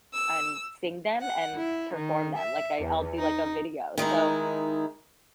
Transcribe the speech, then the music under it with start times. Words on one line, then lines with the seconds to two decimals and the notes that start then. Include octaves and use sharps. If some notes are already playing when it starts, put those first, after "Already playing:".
and sing them and perform them. Like, I I'll do like a video. So
0.14 E6
1.20 F#5
1.56 E4
1.96 D#3
2.39 E5
2.83 E2
3.18 D#4
3.98 D#3 G#3 D#4 E4